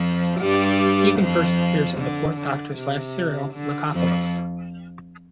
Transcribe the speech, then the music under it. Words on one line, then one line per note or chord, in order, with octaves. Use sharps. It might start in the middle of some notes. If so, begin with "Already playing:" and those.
Tegan first appears in the Fourth Doctor's last serial, "Logopolis".
Already playing: F2 F3
G2 G3
F2 F3
D3
D3
C3
D3
F2 F3